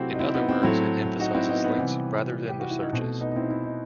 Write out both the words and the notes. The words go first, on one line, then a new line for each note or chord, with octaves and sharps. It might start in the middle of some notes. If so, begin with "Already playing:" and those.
In other words, it emphasizes links rather than the searches.
Already playing: C3 F#3 A3 C4 E4 F#4 G4 A4
D#4
C4 E4
B3 D#4
C4
A2 F#3 A3 C4 E4
D#4 F#4
C4 E4
B3 D#4
B3 D#4
C3 E3 G3 B3
G4
F#4
E4
D#4
B2 C4
A3
B3 D#4
D#4
C4 E4
E4
D#4